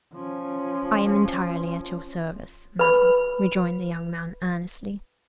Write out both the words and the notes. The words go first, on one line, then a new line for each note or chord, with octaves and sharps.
"I am entirely at your service, Madame," rejoined the young man earnestly.
F3 C#4
B4 B5